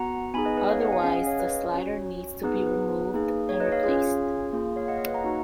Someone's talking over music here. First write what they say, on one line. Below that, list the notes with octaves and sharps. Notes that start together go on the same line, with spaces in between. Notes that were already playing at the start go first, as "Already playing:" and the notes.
Otherwise the slider needs to be removed and replaced.
Already playing: B3 F#4 F#5 A#5
B3 D#4 G#4 G#5 B5
B4 D#5
B4 D#5
C#5 F5
D#5 F#5
F5 G#5
C#4 G#4 F5 G#5
D#5 F#5
C#5 F5
B4 D#5
C#5
C#5
C#4 F#4
B3 D#4 G#4 B4
B4
B4
A#3 D#4 G#4
C#5
B4 D#5
C#5 F5
C#4 F4 G#4
A#3 F4 G#4
C#5 F5
D#5 F#5
C#5 F5
B4 D#5
F#5 A#5
A#3 D#4 F#4